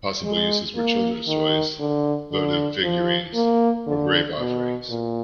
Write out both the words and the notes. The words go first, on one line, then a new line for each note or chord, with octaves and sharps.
Possible uses were children's toys, votive figurines or grave offerings.
G#3
A#3
D#3
D3
D3
F3
A#3
D3
B2
A#2